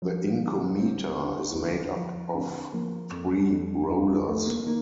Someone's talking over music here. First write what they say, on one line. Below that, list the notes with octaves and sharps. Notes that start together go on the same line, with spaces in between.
The inkometer is made up of three rollers.
F3
D3
D3 C4
D3
D2
F3
D2 C4
F3 A#3
F2
F2
F2 D#4
G3
D#3 A3
A#3
D#3 A#3